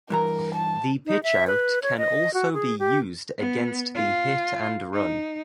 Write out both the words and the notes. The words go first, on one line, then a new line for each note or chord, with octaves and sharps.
The pitchout can also be used against the hit and run.
G2 E3 A#4 A#5
A5
D#4
E5
B4
C#5
D#5
F#4
G#4
G4
B3
F4
D#4